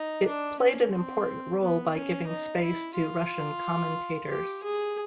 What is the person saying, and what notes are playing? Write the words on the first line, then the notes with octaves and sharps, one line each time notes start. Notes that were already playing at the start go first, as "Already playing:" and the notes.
It "played an important role by giving space to Russian commentators".
Already playing: D#4
D4
C#4
C4
B3
C#4
D#4
E4
F4
G4
G#4